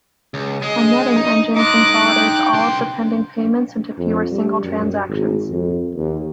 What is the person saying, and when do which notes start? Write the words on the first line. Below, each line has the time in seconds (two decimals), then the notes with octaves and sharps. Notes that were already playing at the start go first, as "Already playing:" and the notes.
A netting engine consolidates all of the pending payments into fewer single transactions.
0.34 C#2
0.62 G#3 D#5
1.17 D#4
1.56 D#4 D#5 C6 D6 F#6
2.07 G5
2.53 C2 C6
3.98 F2
4.31 G3
4.64 F#2
5.09 G#1
5.51 F2
5.95 D#2